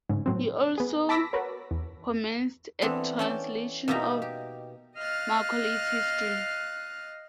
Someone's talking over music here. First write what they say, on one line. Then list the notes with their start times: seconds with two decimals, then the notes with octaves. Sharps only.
He also commenced a translation of Macaulay's "History".
0.09 G#2 C#3
0.26 A2 F#3 C4
0.78 B3 G#4
1.09 A5 B5 D6 E6 A#6 B6
1.33 F#4 A#4 B4 C#5
1.71 E2
2.82 E3 B3 C4 D4 A4
3.19 C#4 A4 D5 G5 A5
3.88 B2 A#3 D#4 G4 E5 A#5
4.22 G4
4.97 D#5 F5 F6 F#6 A6